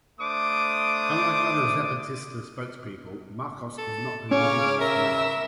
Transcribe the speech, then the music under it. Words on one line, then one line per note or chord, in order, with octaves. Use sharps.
Unlike other Zapatista spokespeople, Marcos is not an indigenous Maya.
A3 D4 C5 D6 D#6
A4
C#3 C#4 C#5 D6 F6
A#4 E5 E6